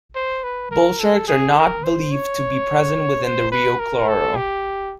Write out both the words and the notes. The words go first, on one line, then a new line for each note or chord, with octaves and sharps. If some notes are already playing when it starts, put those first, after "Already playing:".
Bull sharks are not believed to be present within the Rio Claro.
C5
B4
A#4
A4
G#4
A#4
C5
C#5
C5
B4
A#4
A4
G4